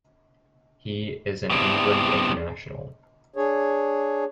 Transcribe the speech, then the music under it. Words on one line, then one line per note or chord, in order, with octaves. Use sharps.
He is an England international.
G3 B3 C4 D4 E4
D4 G#4 C#5